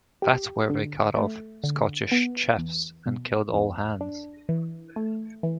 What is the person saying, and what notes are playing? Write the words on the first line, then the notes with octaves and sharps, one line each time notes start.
That's where they cut off the Scottish Chiefs and killed all hands.
G4
D3
A3
D3
B3
E2
B2
E2
D4
E3
A3
E3